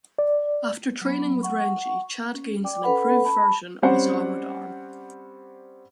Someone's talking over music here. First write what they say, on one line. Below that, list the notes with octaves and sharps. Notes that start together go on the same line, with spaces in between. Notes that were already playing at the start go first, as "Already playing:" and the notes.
After training with Renji, Chad gains an improved version of his armored arm.
D5
F#3 B3
F#5 C#6
C#4
D5 G5 D6
C#4 A4 B4 F#5 B5
A5 B5
G3 C4 C#4 C5 D5 F#5